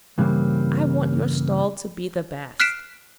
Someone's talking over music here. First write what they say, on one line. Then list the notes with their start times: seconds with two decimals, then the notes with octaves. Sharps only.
'I want your stall to be the best.'
0.18 G2 C#3 E3 G3 A#3 C4
2.60 F6 F#6 B6 C7 D7 E7